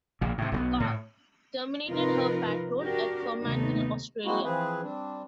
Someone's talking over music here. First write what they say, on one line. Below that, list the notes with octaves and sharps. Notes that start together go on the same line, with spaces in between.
"Gar" terminated her patrol at Fremantle, Australia.
A#1 A#2
A2 C3
B1 F3 B3
A2
C3 F3 D#4 F4 A#4 B4
D4 F#4 G4 A#4
D#2 C3 A3 B3 D#4
G#3 A#3 C4 D#4 E4 F#4
E3 F3 C4 G#4 B4
G3 C4 D4